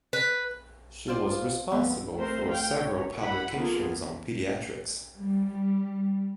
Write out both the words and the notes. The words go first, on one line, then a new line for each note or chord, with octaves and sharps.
She was responsible for several publications on pediatrics.
B4
F4 C5 D5
F2 B3
A3 C4 A#4 C5
F5 G5
C#5
E4 F#5 B5
A#3 B3 F4 G#4 A4
G3